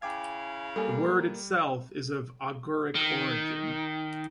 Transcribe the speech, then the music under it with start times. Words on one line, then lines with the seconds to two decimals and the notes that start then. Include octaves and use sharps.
The word itself is of Oghuric origin.
0.02 C#3 E4 F5 G5 G#5 D6 G#6
0.76 G3 A#3 A4 G#5
2.95 D#3